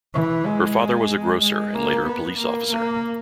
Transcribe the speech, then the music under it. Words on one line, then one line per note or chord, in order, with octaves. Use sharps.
Her father was a grocer and later a police officer.
E3
G#3
G#3
A#3
B3
A#3
A#3